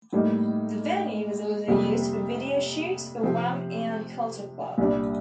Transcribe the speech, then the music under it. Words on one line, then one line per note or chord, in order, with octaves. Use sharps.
The venue was also used for video shoots for Wham and Culture Club.
A2 G3 A#3 D#4
F2 C3 G3 A#3
C3 F3 C4
C2 A#2 G3 D4